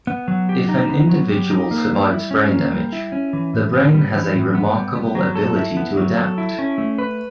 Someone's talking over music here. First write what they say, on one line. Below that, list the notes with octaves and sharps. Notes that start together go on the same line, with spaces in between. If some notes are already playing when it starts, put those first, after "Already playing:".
If an individual survives brain damage, the brain has a remarkable ability to adapt.
B3
F#3
G4
D#4
B3
F#3
G4
D#4
A#3
G3
E4
C#4
A#3
G3
E4
C#4
E3
A2
B3
G3
E3
A2
B3
G3
B3
F#3
A4
E4
B3
F#3
A4
E4
C#4
A3
B4